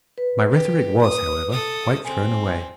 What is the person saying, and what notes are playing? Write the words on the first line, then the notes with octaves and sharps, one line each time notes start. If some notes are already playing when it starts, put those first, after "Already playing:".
My rhetoric was, however, quite thrown away.
B4
G4
D#6
A4 D#6
C4 G#5